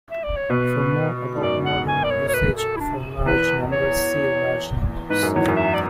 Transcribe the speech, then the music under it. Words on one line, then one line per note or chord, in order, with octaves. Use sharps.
For more about modern usage for large numbers see Large numbers.
E5
D5
C#5
B2 B4
G#2
F#2 D5
F#5
G#5
D5
C#5
C#5
B4
A4
E4
D4
E2 B4
C#5
G#2 B4
F#2
E2 C#5
F#2
E5
D5